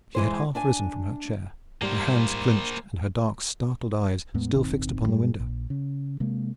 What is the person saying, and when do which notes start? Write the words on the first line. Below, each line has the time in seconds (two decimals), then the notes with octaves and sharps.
She had half-risen from her chair, her hands clenched and her dark, startled eyes still fixed upon the window.
0.15 E3 G#3 C5
0.55 D4 E5 G#5
1.82 G#2 G3 A#3 C5
4.34 E2 A2 G#3 B3
4.54 D#1 G#1 D#3 C4
5.08 G2 G3 G#3
5.39 A#1
5.70 C#3
6.20 C3 G#3 A#3